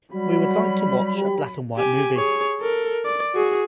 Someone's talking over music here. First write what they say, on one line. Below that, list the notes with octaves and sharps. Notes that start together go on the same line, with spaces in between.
We would like to watch a black-and-white movie.
F#3 G3 F#4 B5
G4
G4 G#5
G#4 C#5
A4 A#4
D5
F#4 G#4